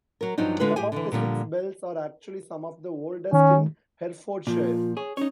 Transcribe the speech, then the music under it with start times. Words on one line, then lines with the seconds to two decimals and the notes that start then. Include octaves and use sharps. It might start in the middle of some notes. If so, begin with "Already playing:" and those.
Some of the six bells are actually some of the oldest in Herefordshire.
0.21 F#3 A#4
0.38 G2 F3 F#3 D4 D#4
0.60 D3 G#3 F4 B4
0.76 A2 G4 G#4 G#5
0.92 D3 E3
1.12 A#2 D3 F3 G3
3.33 D#3 C#4
4.47 A#2 F3 A#3 F4
4.97 G#4 C#5
5.17 C#4 D#4 C#5